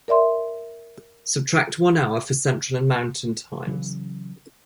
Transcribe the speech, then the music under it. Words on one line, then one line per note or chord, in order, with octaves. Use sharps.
Subtract one hour for Central and Mountain times.
A#4 D5 E5 C6
C#3 E3 F#3